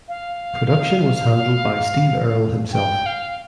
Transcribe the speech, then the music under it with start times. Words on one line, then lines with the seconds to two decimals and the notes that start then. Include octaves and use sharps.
Production was handled by Steve Earle himself.
0.08 F5
2.73 G5
3.06 F5